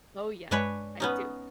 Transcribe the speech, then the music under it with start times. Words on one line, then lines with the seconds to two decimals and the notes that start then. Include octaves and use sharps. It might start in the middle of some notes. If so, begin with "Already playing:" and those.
Oh, yeah. I do.
0.51 G2 G#3 D4 B4 C#5 G#5
1.00 B3 C#4 D#4